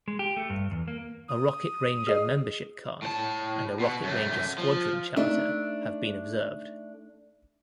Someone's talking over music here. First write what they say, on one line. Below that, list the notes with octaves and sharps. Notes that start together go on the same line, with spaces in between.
A Rocket Ranger membership card and a Rocket Ranger Squadron Charter have been observed.
G#3
G4
A3
G2
E2
A#3
D#6
G#4 D#5
A2 A5
B2 F#4
F#2 A3
F3
A3 D4 D#4 E5